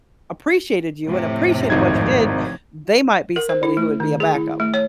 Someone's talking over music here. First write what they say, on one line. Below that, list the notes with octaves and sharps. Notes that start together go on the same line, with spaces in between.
appreciated you and appreciated what you did, they might be somebody who would be a backup.
F2 A2 C3
G#1 D#4 G#6
A#4
C5
E4
A3
D#3
G#4
E4
A3
C#5